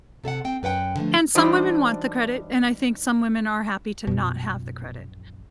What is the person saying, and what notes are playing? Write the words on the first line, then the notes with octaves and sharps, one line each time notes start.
And some women want the credit, and, I think, some women are happy to not have the credit.
C3 A4 F5 F#5
C4 G5
F#2 B4 F#5 G5
D3 F3 A3
E3 G3 D4 D#4 F#4 C5
A#1 F#2 B2